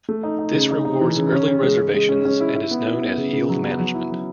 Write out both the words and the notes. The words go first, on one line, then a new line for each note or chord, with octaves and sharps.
This rewards early reservations, and is known as "yield management".
A3
D#4
D#4
C#3
D#4
D#4
E3
C#3
C#4
C#4
G#3
G#3
G#3
C#4
C#4
E4
E4
B3
E4
B3
C#3
C#3
F#3
B3
F#3
E4
F#3